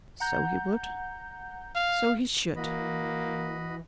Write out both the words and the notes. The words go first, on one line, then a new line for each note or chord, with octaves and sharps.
'So he would; so he should!
F#5 A#5 G6
F5
E3 A#3 F#4 D#5 B5